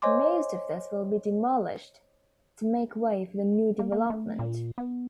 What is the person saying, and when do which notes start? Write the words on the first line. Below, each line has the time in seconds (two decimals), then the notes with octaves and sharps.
Most of this will be demolished to make way for the new development.
0.02 C5 C#5 D#5 G#5 C6 D6
3.79 A#3
3.92 A#3
4.10 A3
4.39 A#2
4.78 B3